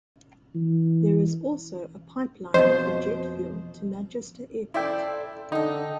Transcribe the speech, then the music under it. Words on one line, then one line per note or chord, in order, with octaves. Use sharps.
There is also a pipeline for jet fuel to Manchester Airport.
E3
F2 B2 C5 D#5
E4 A4 C5 D5 E5 G5
D3 D#4 G4 A4